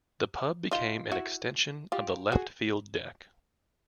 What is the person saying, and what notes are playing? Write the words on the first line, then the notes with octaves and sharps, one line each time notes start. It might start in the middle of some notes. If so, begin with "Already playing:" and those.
The pub became an extension of the left field deck.
D#4 F4
E4 F#4
F4 G4
F#4 G#4